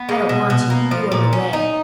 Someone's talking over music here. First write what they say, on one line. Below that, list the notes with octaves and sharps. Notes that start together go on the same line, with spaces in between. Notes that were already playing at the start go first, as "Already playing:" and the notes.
"I don't want you, you are in the way."
Already playing: B3
G#3
B2
B2
A#3
F3
A#2
C#4
D#4